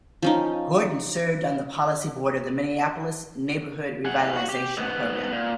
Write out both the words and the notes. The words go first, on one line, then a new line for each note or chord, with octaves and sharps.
Gordon served on the policy board of the Minneapolis Neighborhood Revitalization Program.
F3 C#4 D#4
G#4 F#5
F#4
G4
G#2 B3
A#2